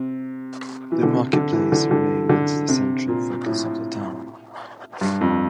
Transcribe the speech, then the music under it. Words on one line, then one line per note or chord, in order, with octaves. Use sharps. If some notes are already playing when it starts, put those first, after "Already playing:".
The market place remains the central focus of the town.
Already playing: C3
E3
D3
C3
D3
E3
D3
D3
D3
C3
A#2
A2
G2
F2